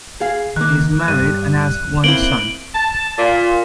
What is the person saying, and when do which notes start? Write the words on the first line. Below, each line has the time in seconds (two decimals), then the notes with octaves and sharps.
He is married and has one son.
0.21 G#4 F5
0.56 D#3 A#3 F#6
1.08 G2 D#7
2.04 A#3 C4 E4 D7 F#7 G7
2.74 A5
3.18 A#2